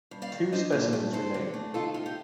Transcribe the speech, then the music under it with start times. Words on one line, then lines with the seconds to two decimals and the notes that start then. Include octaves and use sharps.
Two specimens remain.
0.11 G2
0.22 D5 F5
0.32 D#3
0.52 D4 C5 D#5
0.72 A#2
0.93 A3
1.13 C4 A4 C5
1.34 D3
1.54 A3
1.74 D#4 F4 A4
1.94 A2 F4
2.06 G4